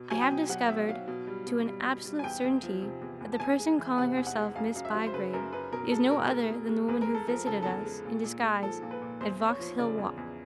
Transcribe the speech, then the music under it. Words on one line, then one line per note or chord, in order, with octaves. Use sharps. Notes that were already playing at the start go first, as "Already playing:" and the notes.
I have discovered, to an absolute certainty, that the person calling herself Miss Bygrave is no other than the woman who visited us in disguise at Vauxhall Walk.
Already playing: B2
F#3 G#5
G5
B2
F#3 F#5
B2 E5
F#3 F5
B2
G3
B2
G3
B2
G3
G#5
E2 G5
E2
F3
C3
E2
E2
A5
E2 G#5
G#3
E3
C3 F#5
E2
F#5
G#3
F#2 F5
F#2 F5
E5
F#3
C5
C#3 B4
F#2 A#4
F#2 B4
B2 A#4
G#3 A4
B2 A#4
G#3 A#4
B2
G#3
E2 B4
A#4
G#3
A4
F3 A#4
C#3 A4
E2 A4
G#3
A#2
A#2
G#3
F3 A4
A#2
B4
A#2
E2 C5
E2
C#5
F3
C#3 D5
E2
E2